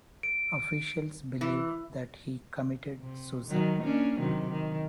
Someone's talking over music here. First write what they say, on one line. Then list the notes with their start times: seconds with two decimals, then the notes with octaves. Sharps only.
Officials believe that he committed suicide.
0.23 D7
1.41 E3
3.00 C3
3.48 D#3 F#3
3.81 A#3 C#4 D4
4.19 C3 D#3 F#3
4.51 D#3